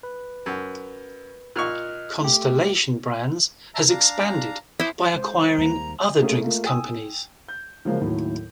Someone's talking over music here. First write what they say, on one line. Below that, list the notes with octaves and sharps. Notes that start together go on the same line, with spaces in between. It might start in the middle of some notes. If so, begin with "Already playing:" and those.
Constellation Brands has expanded by acquiring other drinks companies.
B4
F#2
A#2 D#5 C#6 F6 F#6
A3 G4
E5 A5 A#5
D4 F5 A#5
E4 C5 D6 D#6
G#3 C5
D#2 G3 A#3 A#5
A3 A#3 C#4 G#4 A4
A3 A#3 F4
G5 G#5 D#6 E6
G6
C#3 F3 F#3 G#3 A#3
D#2 A2 D#3 F#3 A3